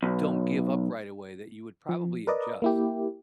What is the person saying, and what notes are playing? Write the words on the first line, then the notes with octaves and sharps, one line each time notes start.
don't give up right away, that you would probably adjust.
B1
F3
A#4 B4 D5 D#5
A#3 E4 G4